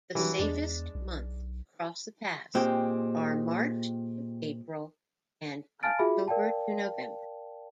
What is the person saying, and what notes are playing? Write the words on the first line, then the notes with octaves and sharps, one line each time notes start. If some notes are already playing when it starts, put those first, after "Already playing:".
The safest months to cross the pass are March-April and October-November.
E3 F#3 G3
E2 G#3 D4
B1
A#2 G#3 C4 G4
F5 G#5 A5 F6 A6 D7
F4 F#4 G#4 E5 B5
A#4 D5 F5 G5 A5